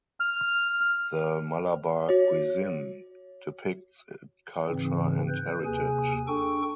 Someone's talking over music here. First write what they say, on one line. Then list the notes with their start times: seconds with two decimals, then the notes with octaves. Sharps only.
The Malabar cuisine depicts it culture and heritage.
0.20 F6
2.09 F#4 C#5
4.69 G#2 C#3 E3 C4
5.28 B4 F#6 G6
5.65 D#2 C3 G#4 G#5
6.27 D4 A4 G5 C#6